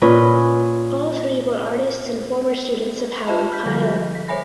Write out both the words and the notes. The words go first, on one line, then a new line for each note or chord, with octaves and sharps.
All three were artists and former students of Howard Pyle.
A#2 C#4 B4 D#5
F4 G4 D#5 E5 A5 B5
F6 G6 B6
D3 F3 G3 A4 A#4
F#4
B6
C5 C#5 E5 G#5 B5 A#6